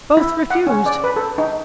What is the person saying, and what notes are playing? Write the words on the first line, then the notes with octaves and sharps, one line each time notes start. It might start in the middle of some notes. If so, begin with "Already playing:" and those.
Both refused.
E4
F#5
C#4
D5
B4
A4
D#4